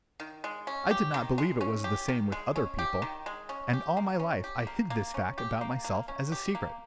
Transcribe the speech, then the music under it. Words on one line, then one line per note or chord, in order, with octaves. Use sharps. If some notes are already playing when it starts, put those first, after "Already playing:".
I did not believe it was the same with other people, and all my life I hid this fact about myself as a secret.
D#3
G#3
C#4
G4
D#3
G#3
C#4
G4
D#3
G#3
C#4
G4
D#3
G#3
C#4
G4
A#3
C#4
G4
A#3
A#3
C#4
G4
A#3
A#3
C#4
G4
A#3